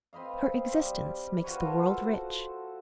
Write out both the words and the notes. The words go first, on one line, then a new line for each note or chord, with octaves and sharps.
Her existence makes the world rich.
C4 B4 D#5 F5
G3
F4 F#4 B4 C#5
A4 C5